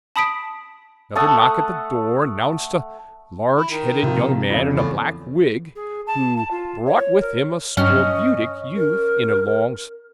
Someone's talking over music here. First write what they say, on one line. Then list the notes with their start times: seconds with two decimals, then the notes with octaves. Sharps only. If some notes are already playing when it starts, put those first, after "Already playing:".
Another knock at the door announced a large-headed young man in a black wig, who brought with him a scorbutic youth in a long stock.
0.16 A5 B5 D#6 B6 D7
1.15 A3 F#5 A5 D#6
3.57 E4
3.71 D#3
4.03 C3 F3
4.50 F2 C#3
4.74 E2 A2
5.76 G#4
6.07 A5
6.37 A5
6.51 F4
6.86 C#5
6.99 C#5
7.21 A#4
7.77 G2 F#3 C#4 D#5 F6
8.76 A#4